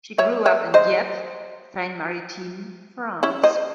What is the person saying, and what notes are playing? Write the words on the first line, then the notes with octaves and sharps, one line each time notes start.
She grew up in Dieppe, Seine-Maritime, France.
C#5 E5
C#5 E5
C5 D#5
C#4 E4
C5 D#5